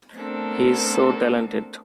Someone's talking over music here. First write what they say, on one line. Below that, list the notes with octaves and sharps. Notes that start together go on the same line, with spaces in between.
He is so talented.
A3 B3 C4 D4 A4 A#4